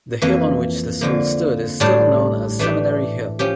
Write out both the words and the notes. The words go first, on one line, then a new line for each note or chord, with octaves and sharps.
The hill on which the school stood is still known as Seminary Hill.
F2 E3 A#3
F2 D3 F3 A#3
A2 G3 D4
E3 A3 D4 G4
F3 C#4 G4